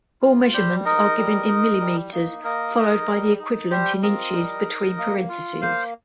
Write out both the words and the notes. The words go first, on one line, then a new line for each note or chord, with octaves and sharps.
All measurements are given in millimeters, followed by the equivalent in inches between parentheses.
F4
G3 G4 C5
D#4 A#4 D#5
G3
D#4
G3
A#3 D#4
A#3 A#4 D#5
D#4
G3
D#4
G3 G4 C5
C4 F4 A#4 D#5
G3
D#4
A#3
F4
A#3 C5 F5